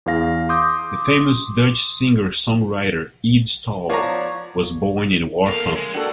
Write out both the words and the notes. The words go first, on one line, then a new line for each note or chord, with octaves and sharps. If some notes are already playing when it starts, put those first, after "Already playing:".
The famous Dutch singer-songwriter Ede Staal was born in Warffum.
E2 G#4 F5 A#6
C6 D6 D#6 G6
F3 B3 C#5 D5 A#5
E2 A#3 A4 A#4 F5
G#3
A#3 D4 F#4 A4 F#5 G5